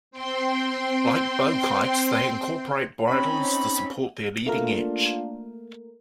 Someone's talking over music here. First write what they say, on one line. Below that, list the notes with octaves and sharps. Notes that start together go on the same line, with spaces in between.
Like bow kites, they incorporate bridles to support their leading edge.
C4 G5 C6
C4 C#4 D#4 B5
A3 A#3 D4 F4 A#4